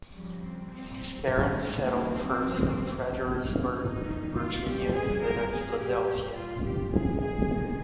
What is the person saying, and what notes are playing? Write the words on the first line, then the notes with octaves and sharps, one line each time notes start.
His parents settled first in Fredericksburg, Virginia, and then at Philadelphia.
F2 C#3 G3
C4
A#2 G3 C4
D#2 D#3 G3
G#3
D#2 D#3 G3 A#3
C4
G2 F3
A#2 F3 G#3
A#2 F3 A#3
D#4
D#2 D#3 G3
F4
F2 C#3 G3 G4
G#4
G2 G3 A#4
G#4
A#2 G3 G4
A#2 G3 F4
G4
D#2 D#3 G3 G#4
G#4
F2 C3 D#3